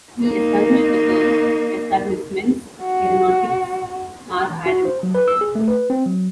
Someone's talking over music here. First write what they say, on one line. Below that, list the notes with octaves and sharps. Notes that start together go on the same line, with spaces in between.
He established the firm Etablissements Aeronautiques R. Adam.
A#3 D#4
F#4
E3
F#4
C5
F#3
B4
E6
G#4
A3
B4
C4
F#3